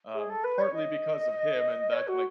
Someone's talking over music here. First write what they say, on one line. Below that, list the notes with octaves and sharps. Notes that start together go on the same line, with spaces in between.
Um, partly because of him and that like,
G#4
A4
B4
C#5
D#5
C#5
F#4